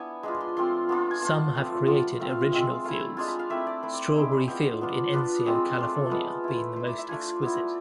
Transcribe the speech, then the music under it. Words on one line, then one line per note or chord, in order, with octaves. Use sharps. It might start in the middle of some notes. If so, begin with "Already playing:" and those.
Some have created original fields, Strawberry Field in Encino, California being the most exquisite.
Already playing: B3 D4 E4 G#5
G#3 D4 F4 B5
C6
F3 A3 C4 F4 C6
B3 D4 F4
G#5
B3 F4 A5
F3 A3 C4
F3 B3 D4 F4
A3 C4 F4 F5
F5
F5
G#3 C4 F4 E5
A3 E4 F5
G#3 D4 F4 G#5
B5
F5
A3 C4 E4 E5
D5
A3 E4 C5
D5
D5
G#3 C4 E4 B5
B5
B3 F4 C5
B3 D4 F4
B3 D4 F4 B4
G#3 C4 F4
A3 D4 F4 C5
A4
G#3 B3 F4 B4
A3 E4
A3 E4 C5
D5
E5
A3 D4 F4 G#5
B3 E4